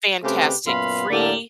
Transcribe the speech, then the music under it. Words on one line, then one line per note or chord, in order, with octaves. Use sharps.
Fantastic. Free
C#3 A3 C4 G4 B4 C5
F#2 A#2 B3 F5 B5 C6
A2 D3 A#3 G4 A#4 D5